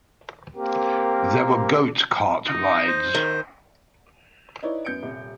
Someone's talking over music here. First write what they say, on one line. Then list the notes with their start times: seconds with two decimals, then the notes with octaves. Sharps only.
There were goat cart rides.
0.56 A#3 C4 G4 A#4
2.47 D#4
2.87 C5
3.15 D#3
4.62 D#4 E4 B4 C#5 D5
4.85 F#2 B3 G6 C#7 D7
5.03 D#1 C2